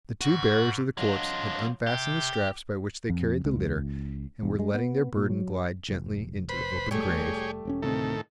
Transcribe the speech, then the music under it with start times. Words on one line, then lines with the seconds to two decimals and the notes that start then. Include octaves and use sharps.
The two bearers of the corpse had unfastened the straps by which they carried the litter, and were letting their burden glide gently into the open grave.
0.21 G#2 F#4
0.98 F#3 D4 F4 D#5
1.87 C3 G4
3.10 F2
3.45 C#2
4.43 E1
4.59 G#3
4.74 B3
5.17 A#2
5.30 F#3
5.88 F1
6.49 B4 C5 B5
6.91 G3 A3 G4 G#4 C#5
7.65 E1 C4 C#4
7.82 D2 A2 C3 D#3 C4 A4